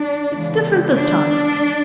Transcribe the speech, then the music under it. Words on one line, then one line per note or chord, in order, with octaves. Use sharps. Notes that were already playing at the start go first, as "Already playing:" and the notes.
It's different this time.
Already playing: D4
C#3 E3 G#3 B3
D4